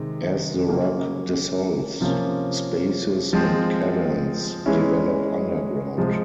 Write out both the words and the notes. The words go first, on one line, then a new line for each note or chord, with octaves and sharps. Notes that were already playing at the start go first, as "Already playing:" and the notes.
As the rock dissolves, spaces and caverns develop underground.
Already playing: C3 D#3 G#3 C4
C#3 F#3 A#3
C3 F3 A#3 C#4
F3 G#3 C4
E3 G#3 C#4 E4
C3 F3 G#3